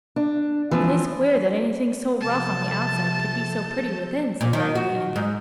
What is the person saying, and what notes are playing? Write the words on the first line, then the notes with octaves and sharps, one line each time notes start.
"It is queer that anything so rough on the outside could be so pretty within!" said Raggedy Andy.
D4
E3 F3 C4
C3 F3 A4 A5 G6
A#2
D#3
F#4
G#2